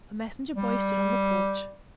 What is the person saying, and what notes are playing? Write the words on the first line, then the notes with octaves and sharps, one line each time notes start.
A messenger boy stood on the porch.
G3